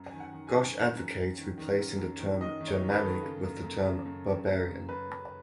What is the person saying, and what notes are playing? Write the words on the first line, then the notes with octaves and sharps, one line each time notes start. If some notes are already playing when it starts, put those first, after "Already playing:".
Ghosh advocates replacing the term "Germanic" with the term "barbarian".
Already playing: F#2
D#3 G#5
F#5
D#3
G#5
F#2
D#3
F#2
F#2
D#3
D#3
F#2
F#2
D#3
D#3 D#5
D#3
C#5
F#2
B4
A4
D#3
C#3
F#2
F#2
C#3
F#2
C#3
F#2
C#3
F#2 B4
F#2